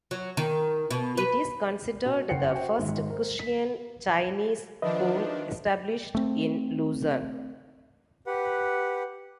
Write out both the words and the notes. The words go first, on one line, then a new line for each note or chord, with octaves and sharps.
It is considered the first Christian Chinese school established in Luzon.
F#3
D#3
B2
B4
B2
F#1 C#4 F#5 G5 C7 C#7
F#4 C5 G5
G#1 G#2
A#4 C5
B6
D#3 F3 D4 B4 D#5 E5
A3 C4
G4 B4 F#5